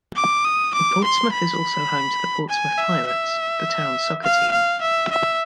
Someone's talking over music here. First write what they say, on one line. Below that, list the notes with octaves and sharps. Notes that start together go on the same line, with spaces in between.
Portsmouth is also home to the Portsmouth Pirates, the town's soccer team.
D6
D#6
D6
C6
B5
G#5
E5
E5
F5
F5
E5
E5